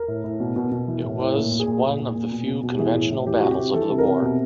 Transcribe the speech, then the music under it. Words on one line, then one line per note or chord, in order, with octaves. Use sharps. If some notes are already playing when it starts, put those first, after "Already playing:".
It was one of the few conventional battles of the war.
Already playing: A#4
A2
A2
B2
B2
B2
E3
A2
A2
A#2
A#2
G#4
A#2
A#2
A#2
A#2
B2
B2
B2
G4
E3 G#4
A2
A2
E3 G4
C3 F#4
G4
C3
E3 A4
C3
A#4
C3
B2